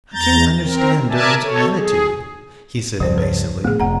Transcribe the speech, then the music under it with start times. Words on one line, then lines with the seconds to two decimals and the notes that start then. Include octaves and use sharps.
"I can't understand Durham's attitude," he said evasively.
0.13 E2 A#5 G6 A6
0.62 C4 A#4
1.10 A#4 D5 E5 G#5 A5
1.42 B2 A4 C#5
1.77 G#4
3.00 C#2 G2 F3 C5
3.18 B4 C#5
3.65 A2 A3 B3 G#4
3.80 F1 C3 F#5 A#5